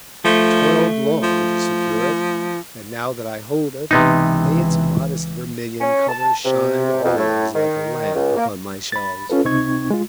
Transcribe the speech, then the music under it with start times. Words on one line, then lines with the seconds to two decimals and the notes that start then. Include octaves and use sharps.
I toiled long to secure it, and, now that I hold it, may its modest vermilion cover shine always like a lamp upon my shelves!
0.25 F3 A3
1.23 F3
3.91 C#2 C3 E3 B3 D#4
5.81 C#4
6.09 A5
6.45 C3
7.04 F2
7.17 A2
7.55 D#3
8.15 C#2
8.36 A#3
8.92 B5 A6
9.30 C#4 F4 A4 B4
9.44 C#2 C3 C4 D#4 C#6 G#6
9.90 G#3 F4